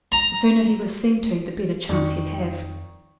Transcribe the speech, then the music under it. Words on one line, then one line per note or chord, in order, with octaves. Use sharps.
The sooner he was seen to, the better chance he'd have.
A#5
F2 D#3 D5 C#6